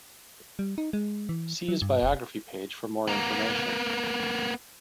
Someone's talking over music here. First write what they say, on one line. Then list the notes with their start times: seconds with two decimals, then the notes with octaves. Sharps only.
See his biography page for more information.
0.59 G3
0.78 D#4
0.93 G#3
1.29 E3
1.68 F#3
1.82 G2
2.03 F1
3.08 A#3 B3